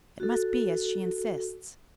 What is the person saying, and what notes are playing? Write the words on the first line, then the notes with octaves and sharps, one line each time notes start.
It must be as she insists.
F#4 A4